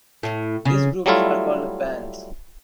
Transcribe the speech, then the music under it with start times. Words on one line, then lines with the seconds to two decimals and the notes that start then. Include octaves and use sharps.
These groups are called bands.
0.23 A2
0.65 C#3
1.06 F#3 G3 A3 E4 F4